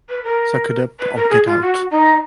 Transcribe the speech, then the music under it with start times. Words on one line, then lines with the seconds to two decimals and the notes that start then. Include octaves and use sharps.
Suck it up, or get out.
0.09 B4
0.23 A#4
0.99 B4
1.15 A#4
1.29 G#4
1.45 F4
1.60 F#4
1.90 D#4